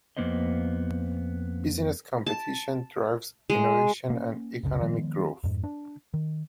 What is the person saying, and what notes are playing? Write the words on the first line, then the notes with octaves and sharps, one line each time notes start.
Business competition drives innovation and economic growth.
F2 F3 A#3 B3 C5 D#5
A5
G#3
A#3 C#4
F#1 C#2 C#3
D#3 F3 G#3 B3
F2 G#2
D4
D#3